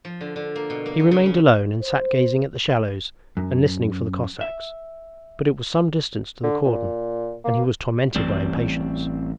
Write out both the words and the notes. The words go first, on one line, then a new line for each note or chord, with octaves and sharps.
He remained alone and sat gazing at the shallows and listening for the Cossacks; but it was some distance to the cordon and he was tormented by impatience.
F3
D3
D3
A#3
B2
A#3
B3
C#3
C#4
C5
F#2
E5
D3
A#2
A#3
A1 E3 G3 C4 D5